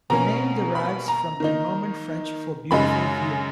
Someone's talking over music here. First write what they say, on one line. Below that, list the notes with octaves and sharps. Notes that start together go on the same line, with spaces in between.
The name derives from the Norman-French for "beautiful view".
B2 A#3 C#4 A#5
B5
A#5
D#3 A#3 D#4
F#2 C#3 G#3 D#4 B5